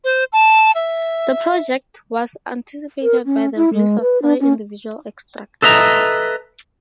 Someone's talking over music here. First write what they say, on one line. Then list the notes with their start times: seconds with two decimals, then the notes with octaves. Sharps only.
The project was anticipated by the release of three individual extracts.
0.04 C5
0.33 A5
0.75 E5
3.02 A#4
3.25 C#4
3.56 E4
3.74 G#3
4.01 B4
4.22 D4
4.40 C#4
5.62 A4 B4 D#5 E5 A#5